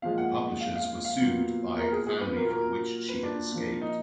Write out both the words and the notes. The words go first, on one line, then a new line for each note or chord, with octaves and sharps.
The publishers were sued by the family from which she had escaped.
A#2 F3 G#3 F5
F#5
F5
F5
F5
A#2 F#3 B3
A#4
G#4
G#4
B4
A#2 F#3 A#3 A#4
A#4
B4
D4
A#2 F3 A#3
D#4